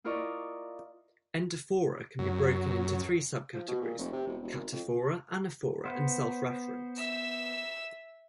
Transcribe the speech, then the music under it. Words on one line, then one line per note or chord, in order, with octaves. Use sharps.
Endophora can be broken into three subcategories: cataphora, anaphora and self-reference.
E4 F4 A#4 D5 D#5 C#6
F#2
F3
B2
A#2
F1
C3
E1
E1
G#1
F2
B3 C5
E5 E6